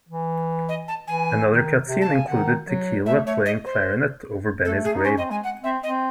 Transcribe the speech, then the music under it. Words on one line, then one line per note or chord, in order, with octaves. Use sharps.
Another cut scene included Tequila playing clarinet over Benny's grave.
E3
D#5
A5
E3 G#5
D#3
C3
A5
C#3
G#5
D#3 F#5
F#3
A3 E5
A3 C#5
D#5
C5
A3 A4
G#4
D#4
C#4 C5
C4 D#5
G#3 G#5
F#5
C4 E5
C4 D#5